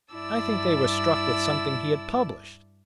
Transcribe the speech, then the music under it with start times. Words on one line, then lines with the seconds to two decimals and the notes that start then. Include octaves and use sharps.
"I think they were struck with something he had published."
0.14 G2 E4 D5 A5 E6